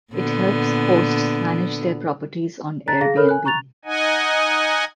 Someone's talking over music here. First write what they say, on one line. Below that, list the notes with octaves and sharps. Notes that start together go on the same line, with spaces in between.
It helps hosts manage their properties on Airbnb.
A#2 D3 B3
A5 A#5 F#6 A6 B6
G#4 F5 A#6
A4 A#4 C#5 B5 F6
G#5 F#6
A#5 C#6 F#6 A6 F7
D#4 D#5 F#5 G#5